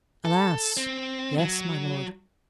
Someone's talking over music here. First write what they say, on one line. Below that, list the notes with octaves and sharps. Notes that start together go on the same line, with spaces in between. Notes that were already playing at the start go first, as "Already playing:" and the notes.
"Alas! yes, my lord."
A4
C4
F#3